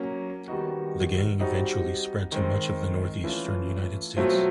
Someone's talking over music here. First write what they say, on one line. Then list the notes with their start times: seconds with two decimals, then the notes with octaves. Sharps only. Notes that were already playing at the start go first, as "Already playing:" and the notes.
The gang eventually spread to much of the Northeastern United States.
Already playing: F#3 A#3 C#4
0.48 D#3 G3 B3 D#4 F#4
1.40 G3 C4 D#4 F#4
2.32 D#3 G#3 C4
3.24 E3 A3 C#4 F4
4.17 B2 F#3 A3 C4 F4